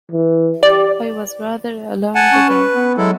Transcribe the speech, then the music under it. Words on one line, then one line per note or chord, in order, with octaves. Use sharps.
I was rather alarmed again.
E3
G4 D5
F#5 G#5 A5
C#4
B4
B3
F#3 G#3 E4 A4